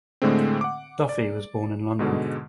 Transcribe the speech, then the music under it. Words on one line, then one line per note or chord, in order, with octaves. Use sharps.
Duffy was born in London.
A2 D3 G#3 A3 C4
F#5 D6
D5
G#2 B2 D3 G#3